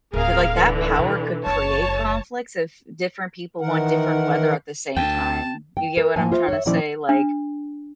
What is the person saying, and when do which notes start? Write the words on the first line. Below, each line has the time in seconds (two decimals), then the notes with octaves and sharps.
like, that power could create conflicts if different people want different weather at the same time. You get what I'm trying to say? Like,
0.13 D1 G#4 A#4 F5
0.57 D3 E3
0.99 B2
1.46 F#1 C#5 A5
3.61 D#3 E3 A#4 F#5
4.96 D2 G5 A5
5.77 G5
5.97 A#4
6.16 A2 F3 A#3 G#5 A5
6.32 F4 C5 E5 F5
6.48 C#5 E5
6.65 A#2 D#3 F3 C#4 E4 D5
7.09 D4